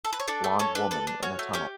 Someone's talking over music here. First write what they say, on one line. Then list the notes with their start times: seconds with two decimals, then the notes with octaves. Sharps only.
Blond woman in a tunnel.
0.05 A4
0.13 B4
0.20 C#5
0.28 D4 A4 D5
0.44 A3
0.59 C#4 A4 C#5
0.75 D4 B4
0.91 A4 B4
1.07 D4
1.23 C#4 F#4 C#5
1.39 A3
1.53 C#4 G4 C#5